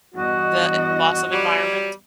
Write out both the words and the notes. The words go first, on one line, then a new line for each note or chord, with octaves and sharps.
the eh loss of environment?
E2 G2 F#4 D#5
F#3 G3